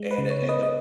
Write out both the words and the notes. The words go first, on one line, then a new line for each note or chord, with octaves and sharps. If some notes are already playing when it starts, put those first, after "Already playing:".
and it and the
Already playing: G#3
B4
C#3
C#5
B3
B4 D#5
D#5